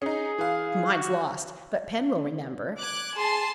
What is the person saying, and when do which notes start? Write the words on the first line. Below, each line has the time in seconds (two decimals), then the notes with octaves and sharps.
Mine's lost, but Pen will remember.'
0.02 C#4 D#4 G#4
0.38 E3 F5
0.91 F#4
2.78 D6 F#6 G#6
3.16 G#4 A5 C6 C7